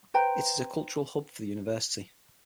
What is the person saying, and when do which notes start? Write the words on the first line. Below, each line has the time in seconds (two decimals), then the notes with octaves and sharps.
It is a cultural hub for the university.
0.14 B4 C5 G5 A#5